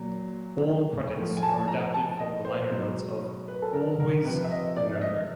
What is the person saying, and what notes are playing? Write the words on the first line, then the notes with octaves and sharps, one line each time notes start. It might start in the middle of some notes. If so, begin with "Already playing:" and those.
All credits are adapted from the liner notes of "Always Remember".
Already playing: A#2 F#3
A2 F3
G#5
A5
A#5
A5
D#5
C5
B2 F#3
B4
A4
A#4
A#4
C3 F3 B4
E5
D#5
D5
E5
D#5